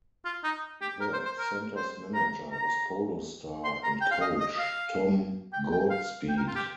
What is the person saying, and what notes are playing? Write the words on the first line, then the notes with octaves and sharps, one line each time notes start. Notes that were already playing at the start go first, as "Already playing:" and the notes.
The center's manager was polo star and coach Tom Goodspeed.
F4
D#4
G4
A#4
C5
C5
A#4
C5
A#5
A#5
C6
A#5
G5
F5
D#5
D#5
F5
G5
G5
F5
G5
A#4
F4
G4